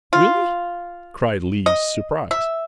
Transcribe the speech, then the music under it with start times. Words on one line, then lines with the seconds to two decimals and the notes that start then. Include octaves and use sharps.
"Really?" cried Lise, surprised.
0.13 F4
1.66 D#5
2.31 E5